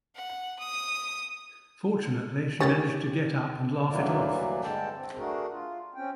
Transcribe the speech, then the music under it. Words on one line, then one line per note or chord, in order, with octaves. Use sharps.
Fortunately, she managed to get up and laugh it off.
F#5
D#6
D#3 C#4 G4 A6
D2 G2 E3 F#3 A#3 D5
G2 D3 G#3 A4 G5 A5
C4
A3 D4 F#4 G#4 A#4
F4
C4 C#4 G5